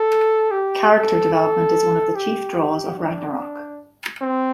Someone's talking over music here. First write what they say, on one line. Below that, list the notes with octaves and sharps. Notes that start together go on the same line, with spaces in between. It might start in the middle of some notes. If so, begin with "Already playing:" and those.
Character development is one of the chief draws of "Ragnarok".
Already playing: A4
G4
A4
A4
G4
D4
C4